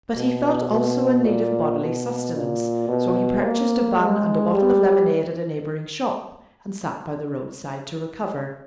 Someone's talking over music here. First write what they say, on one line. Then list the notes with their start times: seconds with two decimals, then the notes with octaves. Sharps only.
But he felt also in need of bodily sustenance, so he purchased a bun and a bottle of lemonade at a neighbouring shop and sat by the roadside to recover.
0.16 B2
0.70 B2
1.25 A#2
1.80 B2
2.34 A#2
2.88 B2
3.43 A#3
3.97 G#3
4.52 G3